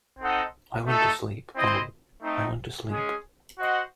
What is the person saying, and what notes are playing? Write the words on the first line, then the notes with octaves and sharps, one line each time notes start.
I want to sleep — oh, I want to sleep.
C4 D#4 A4 D#5 F#5
A3 D#4 A4
C4 E4 C5 D#5
A3 C4 D#4
G#3 C#4 G#4
F#4 C5 D#5 F#5